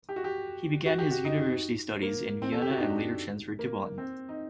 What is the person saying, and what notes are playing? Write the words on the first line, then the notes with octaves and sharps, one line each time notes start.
He began his university studies in Vienna and later transferred to Bonn.
G4
F#4
G4
F#4
G4
F#4
D#4
A#3
C4
A4
G4
F#4
D#4
D4
A#3
C4
D#4